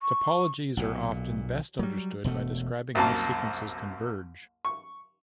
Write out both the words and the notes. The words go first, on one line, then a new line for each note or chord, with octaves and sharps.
Topologies are often best understood by describing how sequences converge.
C#6
B1 A#2
F#3 G3
E1 B2 A3
C2 F#2 A#3 A5
C#6